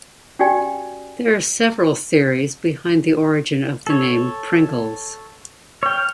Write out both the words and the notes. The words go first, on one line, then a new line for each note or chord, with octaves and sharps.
There are several theories behind the origin of the name "Pringles".
C#4 F#4 G4 D5 G5 G#5
A4 C#5
C#5 G5 F6